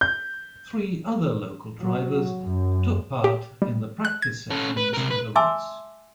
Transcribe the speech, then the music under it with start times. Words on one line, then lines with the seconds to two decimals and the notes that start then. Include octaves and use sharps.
Three other local drivers took part in the practice sessions for the race.
0.01 G6
1.80 F#3
2.43 F#2
3.24 G4
3.62 G3
4.05 F#6
4.22 G#6
4.51 C#4 A4
4.77 B4
4.93 C3 A#4
5.10 B4
5.36 E5 G#5 A5 C6 D6 E6